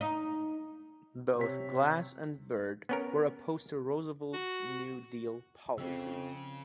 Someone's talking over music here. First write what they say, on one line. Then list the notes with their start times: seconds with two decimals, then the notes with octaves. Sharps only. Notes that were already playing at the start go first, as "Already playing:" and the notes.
Both Glass and Byrd were opposed to Roosevelt's New Deal policies.
0.01 D#4
1.39 C3 C4 C#5 B6
2.89 B3 C#4 A#4
4.33 F#4
5.78 F2 C#3 C4 E6